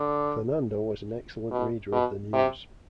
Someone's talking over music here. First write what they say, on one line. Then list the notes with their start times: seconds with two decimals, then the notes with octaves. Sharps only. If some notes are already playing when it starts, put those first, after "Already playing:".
Fernando was an excellent reader of the news.
Already playing: D3
1.51 B2
1.92 B2
2.33 C3